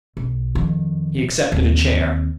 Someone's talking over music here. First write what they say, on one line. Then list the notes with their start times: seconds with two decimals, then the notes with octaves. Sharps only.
He accepted a chair.
0.17 B1
0.55 F2 D#3
1.52 D#2 C4